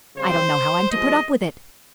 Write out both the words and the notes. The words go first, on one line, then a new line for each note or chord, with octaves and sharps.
I don't know how I'm to put up with it.
C#3 G3 C4 C5
G2 F3 G#3 D#5